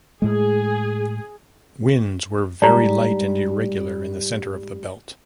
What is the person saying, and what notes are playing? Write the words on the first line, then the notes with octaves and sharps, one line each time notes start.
Winds were very light and irregular in the center of the belt.
A2 G#3 G#4
G#2 G3 D5 A5 A#5